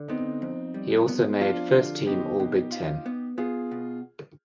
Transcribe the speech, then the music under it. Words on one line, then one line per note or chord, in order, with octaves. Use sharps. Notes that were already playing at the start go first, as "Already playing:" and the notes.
He also made First Team All Big Ten.
Already playing: D3
B3 C4 D#4
F2
G3
B3
F2 D4 F4
D3
B2 D#4 G4
B2
F4
B3
B3 F4 G#4
B2